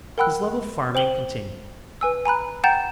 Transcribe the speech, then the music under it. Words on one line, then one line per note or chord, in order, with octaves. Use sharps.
His love of farming continued.
A#4 F#5 G5 B5 E6 F#6
C5 G5 F#7 G7
B4 G#5 E6
G#5 A#5 B5 F#6
F#5 G5 A#5 G6 A6 E7